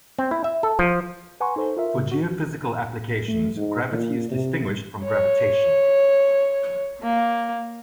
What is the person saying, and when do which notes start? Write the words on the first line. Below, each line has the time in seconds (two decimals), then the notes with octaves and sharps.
For geophysical applications, gravity is distinguished from gravitation.
0.19 C4
0.31 E4
0.44 E5
0.63 A4
0.79 F3
1.40 B4 F#5 G#5 A#5 C6 C#6
1.56 D#4 A4 C5
1.77 F4 A#4 E5
1.97 C#3
2.12 F#4
3.28 A3
3.57 G#2
3.92 A#2
4.31 C3
5.04 C#5
7.03 A#3